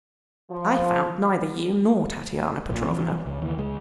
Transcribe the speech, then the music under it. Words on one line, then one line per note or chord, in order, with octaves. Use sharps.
I found neither you, nor Tatyana Petrovna.
F3
A#1 A#2
E3 F3 C4
C#2
D#2 E3
C#2 G#3